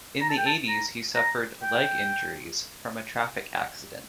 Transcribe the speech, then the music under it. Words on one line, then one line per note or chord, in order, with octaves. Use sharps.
In the eighties he suffered leg injuries from a traffic accident.
A#5
A5
G5
A5
A#5
A#5
G5